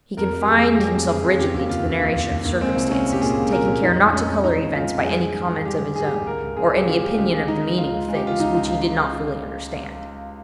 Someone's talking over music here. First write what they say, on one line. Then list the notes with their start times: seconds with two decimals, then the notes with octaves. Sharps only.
He confined himself rigidly to the narration of circumstances, taking care not to colour events by any comment of his own, or any opinion of the meaning of things which he did not fully understand.
0.17 F2 A#4
0.32 F2
0.41 G4
0.47 F2 G#4
0.63 G#3
0.78 F2 G4
0.94 F2
1.08 F2 G#4
1.24 F2
1.39 C#3 G4
1.54 D#2
1.69 C#3 F4
1.85 D#2
2.00 D#2
2.15 D#2
2.30 D#2
2.45 D#2
2.61 G#3 C4
2.76 C2
2.91 G#3 C#4
3.07 G#3
3.13 G4
3.22 A#2 G#4
3.37 A#2
3.52 A#2 A#4
3.67 A#2
3.82 F2 D#4
3.98 F2
4.13 G#3 C#4
4.28 F2
4.43 F2 D#4
4.59 F2
4.74 G#3 F4
4.89 F2
5.04 G3 G#4
5.20 G3
5.34 G#2 G#4
5.50 G#2
5.65 G3 G4
5.80 G3
5.95 G#2 G#4
6.05 G4
6.11 G#2 G#4
6.26 C#2 A#4
6.42 C#2
6.57 C#2 G#4
6.72 C#2 G4
6.87 C#3 F4
7.02 C#2 G4
7.17 C#3 G4
7.32 G#3
7.48 G#3 D#4
7.63 C#3
7.78 C#2 F4
7.93 C#2
8.08 G#3
8.15 G4
8.24 C#3 F4
8.39 C#2 D#4
8.54 C#2